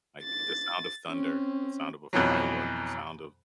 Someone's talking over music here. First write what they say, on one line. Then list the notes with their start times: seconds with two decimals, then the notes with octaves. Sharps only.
like, the sound of thunder, the sound of a firework, the sound of
0.24 A6
1.09 C4 C#4
2.13 F2 B2 E3 F#3